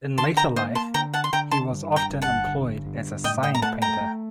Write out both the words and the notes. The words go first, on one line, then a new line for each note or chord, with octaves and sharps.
In later life he was often employed as a sign painter.
D3 A5 C6
G5 A#5
A#3 C5 D#5
A5 C6
D3 G5 A#5
F#5 A5
C6
D3 G5 A#5
A5 C6
G2
G5 A#5
G1
F#5 A5
D3
G2
A2 D#5 G5
D#5 G5
A#5
A3 F#5 A5
G5 A#5
A3